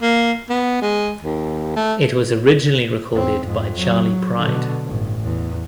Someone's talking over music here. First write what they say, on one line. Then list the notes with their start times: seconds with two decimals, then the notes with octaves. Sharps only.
It was originally recorded by Charley Pride.
0.02 A#3
0.49 B3
0.82 G#3
1.22 D#2
1.76 A3
3.12 E2 C4
3.43 F2 G#2
3.76 F#3
4.37 B2 D3
4.85 A1 G2
5.22 E2